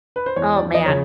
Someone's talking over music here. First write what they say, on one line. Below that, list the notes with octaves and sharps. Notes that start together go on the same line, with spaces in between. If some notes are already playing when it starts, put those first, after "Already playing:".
oh man.
B4
C5
E2 C#5
D5
F3
D#5
C#3 C#5